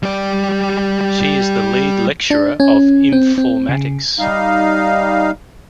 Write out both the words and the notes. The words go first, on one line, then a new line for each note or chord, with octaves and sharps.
She is the lead lecturer of informatics.
G3 D5
D4
C#4
C4
C4
C#3
G3 D#4 F5